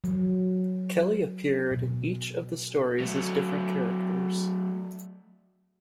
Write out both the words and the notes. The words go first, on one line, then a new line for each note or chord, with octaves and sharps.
Kelly appeared in each of the stories as different characters.
F#3
B2
F#3 A3